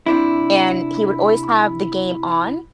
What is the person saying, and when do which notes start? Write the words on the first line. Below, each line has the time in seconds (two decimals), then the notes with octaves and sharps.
and he would always have the game on,
0.06 C3 D4 E4